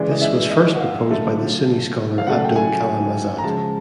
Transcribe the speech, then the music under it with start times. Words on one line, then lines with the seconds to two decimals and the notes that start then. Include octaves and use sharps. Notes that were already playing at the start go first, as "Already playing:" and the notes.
This was first proposed by the Sunni scholar Abul Kalam Azad.
Already playing: C#3 E3 G#3 D5
0.12 D#5
0.22 E5
0.50 D#5
0.74 F#5
0.80 F5
1.09 D3 F#3 A3
2.18 F5
2.27 C#3 F#3 A3 F#5
2.45 G5
2.56 G#5
3.38 A#5
3.43 C#3 F3 G#3 A5